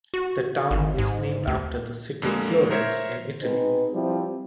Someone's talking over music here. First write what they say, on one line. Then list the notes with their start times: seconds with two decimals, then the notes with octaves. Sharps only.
The town is named after the city Florence in Italy.
0.14 F#4
0.71 G#1
0.98 G#2
1.47 D2
2.22 F2 D3 G#3 A#3
2.71 A#4 C5 C#5 E5
3.42 B2 C4 D#4 G#4 B4
3.93 F3 G3 C4 E4